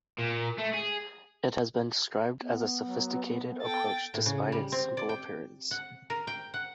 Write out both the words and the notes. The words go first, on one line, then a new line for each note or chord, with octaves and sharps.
It has been described as a sophisticated approach despite its simple appearance.
A#2
A3
G#4
B3
F#3
A4 G5 A6
A2
C#3
G3
C4
D5
G5
F#5
A#4
G5
F#5